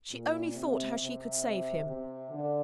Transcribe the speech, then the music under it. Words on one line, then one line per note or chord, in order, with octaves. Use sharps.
She only thought how she could save him.
A#2
C3
C3
C3
D3